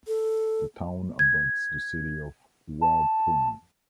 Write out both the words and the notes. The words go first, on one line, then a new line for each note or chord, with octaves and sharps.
The town abuts the city of Waupun.
A4
G#6
A5